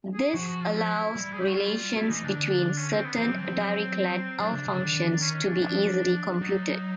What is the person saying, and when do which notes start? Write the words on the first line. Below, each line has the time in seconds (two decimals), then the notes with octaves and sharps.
This allows relations between certain Dirichlet L-functions to be easily computed.
0.14 G#4
0.34 F3 F#4
0.48 F#4
0.61 F4
0.75 E4
1.16 G3
1.32 G#4
1.40 G4
1.48 F#4
1.56 F4
1.96 A3 E4
2.10 E3 D#4
2.24 D3 D4
2.78 C#4
2.91 C4
3.05 B3
3.18 E3 C4
3.31 F#3
3.38 E3 C4
3.45 F3
3.59 F#3
4.39 F#3 D4
4.52 C#3
4.67 D3
4.80 D#3
5.20 C#4
5.34 C#4
5.48 D4
5.61 F3
6.42 F#3 D#4